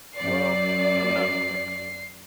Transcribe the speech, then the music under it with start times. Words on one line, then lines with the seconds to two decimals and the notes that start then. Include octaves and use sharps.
Well, I'm not a crook.
0.17 F#2 D5 C7